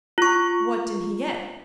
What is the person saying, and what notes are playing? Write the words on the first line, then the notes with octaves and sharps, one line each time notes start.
"What did he get?"
F4 C#6